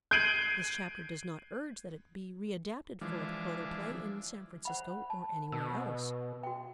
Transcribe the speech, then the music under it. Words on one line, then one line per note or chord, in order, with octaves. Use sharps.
This chapter does not urge that it be readapted for a photoplay in San Francisco or anywhere else.
G6 G#6 C7 D7 D#7 F#7
E3 F3 G#3 D4
C5 F#5 B5
A5
B2 E6
F#4 G5